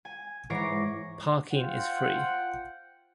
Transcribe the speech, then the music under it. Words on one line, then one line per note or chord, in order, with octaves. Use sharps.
Parking is free.
G#5
G#2 E3 C#5 D6 A#6 C7
F4 C5 F#5 G5